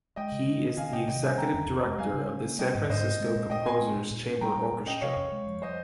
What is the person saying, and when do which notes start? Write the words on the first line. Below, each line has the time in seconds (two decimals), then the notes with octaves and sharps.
He is the Executive Director of the San Francisco Composers Chamber Orchestra.
0.16 G#3 D#5 G5
0.32 C#3
0.47 C#3
0.62 C4
0.77 D#3 F5 G#5
0.93 C3 D#5 G5
1.08 C3 D#5 G5
1.23 G3 F5 G#5
1.38 D#3 G5 A#5
1.54 F2
1.69 F2
1.84 G#3
1.98 G3 F5 G#5
2.14 C#3
2.28 C#4
2.45 A#3
2.59 G3 D#5 G5
2.75 G#2
2.90 G#2 C5 D#5
3.05 C4
3.20 G#3
3.36 A#2
3.50 A#2 D#5 G5
3.65 C4 G#5 C6
3.80 G#3
3.96 A#2
4.11 A#2
4.26 C#4
4.41 G3 G5 A#5
4.56 A#2
4.72 A#2
4.86 C#4 D#5 G5
5.01 C3 C#5 F5
5.16 F2
5.32 G#3
5.47 F3
5.62 G3 C5 D#5